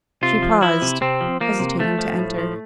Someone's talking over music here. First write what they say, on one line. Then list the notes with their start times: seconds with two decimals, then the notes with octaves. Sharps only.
She paused, hesitating to enter.
0.23 C3 F4
0.43 F3
0.62 F3 E4
0.82 C3
1.01 C3 C4
1.21 F3
1.41 F3 A#3
1.59 C3
1.79 F3 A3
1.99 F3
2.18 A2
2.38 F3